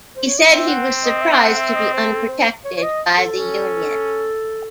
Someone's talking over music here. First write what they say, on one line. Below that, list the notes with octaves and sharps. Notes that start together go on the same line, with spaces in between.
He said he was surprised to be unprotected by the Union.
C5
C#5
D#5
C4 E5
F#5
D#5
E5
F#5
E5
D#5
C5
A4
C5
C#5
C#5
D#5
A4
C#4